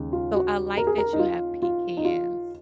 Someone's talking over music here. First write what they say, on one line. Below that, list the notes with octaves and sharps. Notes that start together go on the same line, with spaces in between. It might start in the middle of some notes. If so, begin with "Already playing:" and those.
So, I like that you have pecans,
Already playing: D#2 C#3 G#3
F4
F#4
A#4
G#4
A#4
D#4
F4
F4
D#4
F4